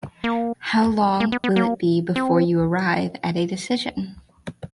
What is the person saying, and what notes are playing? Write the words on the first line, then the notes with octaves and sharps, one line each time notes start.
How long will it be before you arrive at a decision?
A#3
A#3
B3
B3
A#3
C4